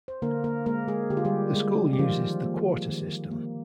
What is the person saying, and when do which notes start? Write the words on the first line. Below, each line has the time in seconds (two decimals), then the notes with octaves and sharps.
The school uses the quarter system.
0.08 C5
0.22 D3 A#3 A#4
0.44 A#3 A#4
0.66 G#3 A#3 A#4
0.88 G#3 G#4
1.10 D3 G4
1.17 F4
1.25 G3 G4
1.54 G#3
1.93 G4
1.98 D#3 F3 F4
2.43 A#3
2.88 D#3
3.31 A#3